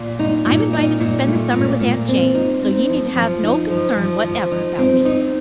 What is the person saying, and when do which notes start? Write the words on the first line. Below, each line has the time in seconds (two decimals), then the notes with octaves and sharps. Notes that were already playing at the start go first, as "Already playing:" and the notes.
"I am invited to spend the summer with Aunt Jane, so you need have no concern whatever about me."
Already playing: A#2
0.19 D#4
0.46 A#2
0.73 D#4
1.00 A#2
1.27 A3
1.53 A#2
1.80 A#2
2.08 C4
2.35 D#4
2.62 C4
2.90 F3
3.16 F3
3.44 D#4
3.70 F3
3.97 F3
4.24 F3
4.51 D#4
4.79 C4
5.05 D#4